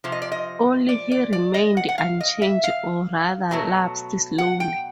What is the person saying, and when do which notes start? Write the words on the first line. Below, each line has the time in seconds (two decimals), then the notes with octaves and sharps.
Only he remained unchanged, or rather, lapsed slowly.
0.04 C3 F3
0.12 D#5
0.22 D5
0.32 D#5
0.89 D5
1.12 D5
1.33 D5
1.54 D#5
1.77 F#5
1.89 F#5
1.98 F5
2.21 D#5
2.42 E5
2.64 F5
3.51 B2 F#3 A3
4.38 F#5
4.60 G5